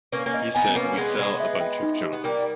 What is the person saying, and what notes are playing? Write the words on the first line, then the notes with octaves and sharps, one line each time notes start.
He said "We sell a bunch of junk".
A#3 C#4 B4
A#3 C#4
D#5
B3 D#4 G#5
A#3 C#4 B4
G#3 B3 G#4
G#3 B3 B4
E5
G5
D#4
G4
B3
G3 A#3 A#4